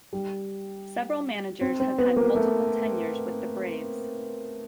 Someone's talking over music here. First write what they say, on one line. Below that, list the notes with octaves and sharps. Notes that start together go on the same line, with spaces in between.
Several managers have had multiple tenures with the Braves.
G3
C4
C4
B3
A#3
A3